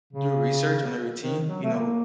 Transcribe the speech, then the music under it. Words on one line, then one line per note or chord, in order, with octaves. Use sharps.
do research on their routine, you know,
C#3
D#3
F#3
A3
A#3